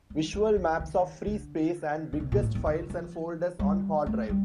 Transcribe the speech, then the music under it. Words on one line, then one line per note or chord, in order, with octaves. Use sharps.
Visual maps of free space and biggest files and folders on hard drive.
G3
F3
D#3
D#3
D3
D3
C3
A#2
A2
D#3
D#3
F3
G3
A3
G3